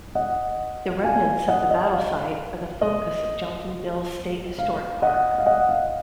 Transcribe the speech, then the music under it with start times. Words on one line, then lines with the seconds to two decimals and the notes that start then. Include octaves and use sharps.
The remnants of the battle site are the focus of Johnsonville State Historic Park.
0.15 D#5 F#5
1.04 F5 G#5
1.48 D#5 F#5
1.71 D#5
1.93 F5
2.81 D#5
4.59 F5
5.02 D#5 F#5
5.38 F5
5.46 D#5 F#5
5.69 F5